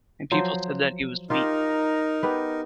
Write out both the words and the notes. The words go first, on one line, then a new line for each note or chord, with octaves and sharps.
And people said that he was weak.
F3 F#3 C5
D#4 F4 G4 A#4
B3 G4 B4